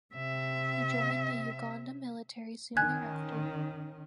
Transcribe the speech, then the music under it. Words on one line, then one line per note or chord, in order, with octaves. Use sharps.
He joined the Uganda Military soon thereafter.
C3 E5
D#3 C#4 G#5 F#6 G#6